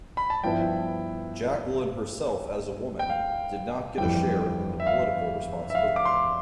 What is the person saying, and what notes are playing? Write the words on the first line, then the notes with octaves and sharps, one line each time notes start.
Jacqueline herself as a woman, did not get a share in the political responsibility.
B5
A5
G2 F3 B3 E4 G5
G5
F5
G1 F2 E3 G3 G5
E5
F5
E5
F5
D6
C6